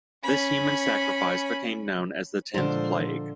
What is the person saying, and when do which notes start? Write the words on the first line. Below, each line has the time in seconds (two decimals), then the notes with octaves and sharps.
This human sacrifice became known as the tenth plague.
0.24 C#4 B5
2.54 A#2 D3 F3 G#3 A#4 C5